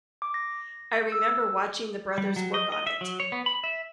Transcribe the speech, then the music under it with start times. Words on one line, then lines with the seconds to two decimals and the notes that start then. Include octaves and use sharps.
I remember watching the brothers work on it.
0.22 D6
0.34 A#6
1.12 E6
2.18 G3
2.36 F#3
2.54 D#5
2.72 D#5
2.87 E5
3.01 F#3
3.20 C#5
3.32 B3
3.46 B5
3.64 E5